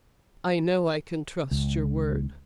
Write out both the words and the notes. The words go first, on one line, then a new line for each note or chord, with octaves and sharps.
"I know I can trust your word."
C#2